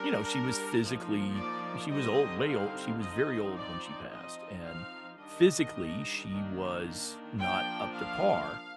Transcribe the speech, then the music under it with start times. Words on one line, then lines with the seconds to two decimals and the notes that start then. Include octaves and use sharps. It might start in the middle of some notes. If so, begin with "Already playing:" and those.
you know, she was physically She was old, way old, she was very old when she passed, and physically she was not up to par,
Already playing: G3 D4 A#4
0.81 F3 A#3 D#4
1.36 D5
1.91 D3 G3 C4 D#4 D#5
2.46 F5
3.01 F3 C4 D#4 D#5
3.55 D5
4.10 F3 C4 D#4 D#5
4.65 F5
5.20 D#3 G3 D4 D#5
6.30 D#3 A#3 D4
7.40 F3 A#3 D4 G5
7.94 F5